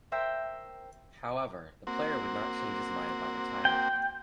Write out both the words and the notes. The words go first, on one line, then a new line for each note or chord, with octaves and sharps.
However, the player would not change his mind about retiring.
A#4 C5 E5 G5
A#3 C4 F#4
G5